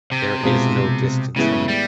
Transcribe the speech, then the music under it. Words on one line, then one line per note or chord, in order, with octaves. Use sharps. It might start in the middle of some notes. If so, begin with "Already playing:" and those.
There is no distance learning.
C3
B2 G#3 C4 F4
A2 C#3 E3 G#3 B3 E4
G3